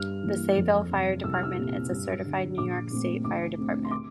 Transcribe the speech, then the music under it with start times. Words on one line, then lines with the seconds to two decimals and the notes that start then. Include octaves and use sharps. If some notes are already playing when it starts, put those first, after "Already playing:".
The Sayville Fire Department is a certified New York State fire department.
Already playing: G2 F6
0.23 E3 A#3
0.57 F2
0.91 C3 G3
1.24 C2 E6
1.33 F6
1.43 E6
1.57 A#2 G3 C4
1.91 G2
2.24 D3 G3
2.58 A#1 D6
2.91 A#2 A3 C4
3.24 D2 D6
3.58 D3 A3 C4
3.84 C6
3.91 D6